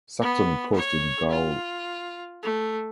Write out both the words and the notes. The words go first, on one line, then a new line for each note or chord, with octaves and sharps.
Saxony Coast in Gaul.
B3
C#5
F4
A3